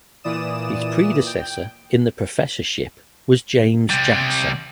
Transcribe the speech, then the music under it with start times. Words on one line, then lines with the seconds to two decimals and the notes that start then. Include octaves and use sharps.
His predecessor in the professorship was James Jackson.
0.24 A#2 E3 D5 D#6 E7
1.26 G5
3.90 C3 G3